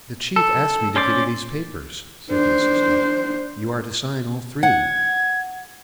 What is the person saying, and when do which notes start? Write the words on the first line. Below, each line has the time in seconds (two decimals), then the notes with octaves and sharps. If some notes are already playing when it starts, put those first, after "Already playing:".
"The Chief asked me to give you these papers," said the assistant. "You are to sign all three."
0.36 A4
0.96 C#4 C5 D5
2.31 D4 C5
4.63 F#5 G#6